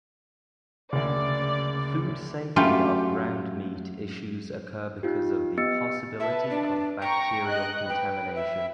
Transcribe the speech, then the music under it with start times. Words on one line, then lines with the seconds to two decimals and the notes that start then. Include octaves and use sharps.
Food safety of ground meat issues occur because of the possibility of bacterial contamination.
0.93 F#1 D2 C#3 D5
2.56 F#2 A3 F4 G4 B5
5.03 D#4 F4 G4
5.57 B3 G4 D#5 E6 A6 C#7
6.20 B4 E5 A5
6.50 D4
7.02 G5 A#5 C#6
7.47 D#5 F#6
7.90 B4 G5
8.35 E5